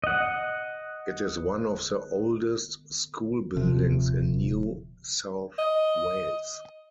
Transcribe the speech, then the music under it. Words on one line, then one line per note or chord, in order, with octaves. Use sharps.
It is one of the oldest school buildings in New South Wales.
D#5 F#5
D#1 C3 F3
D#5